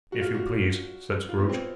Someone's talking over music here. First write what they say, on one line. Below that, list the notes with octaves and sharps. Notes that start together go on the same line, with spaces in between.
'If you please,' said Scrooge.
F#4
F4
F#4
F4
B3
C4